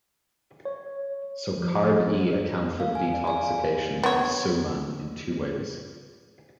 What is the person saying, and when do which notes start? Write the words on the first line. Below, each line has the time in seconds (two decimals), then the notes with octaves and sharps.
So CarbE account for the detoxication of soman in two ways.
0.65 C#5
1.57 F3
2.80 F5
2.95 G#5
3.14 D5
3.27 G#5
3.43 F5
4.03 B3 C#5